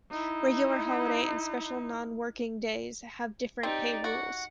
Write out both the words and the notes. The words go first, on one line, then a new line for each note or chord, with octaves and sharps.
Regular holiday and special non-working day have different pay rules.
D#4 E4
C4 D#4 G4 D5
F#4 F#5